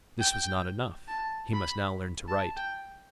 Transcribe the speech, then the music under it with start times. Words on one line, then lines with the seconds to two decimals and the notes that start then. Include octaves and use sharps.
This was not enough--he must now learn to write.
0.20 G5
1.08 A5
1.54 B5
2.28 A5
2.57 G5